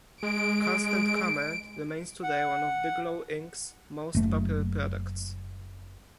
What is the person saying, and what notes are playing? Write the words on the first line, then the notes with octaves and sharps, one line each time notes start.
Constant Comment remains today one of Bigelow Inc.'s most popular products.
G#3 D7
F#5
F#1 A3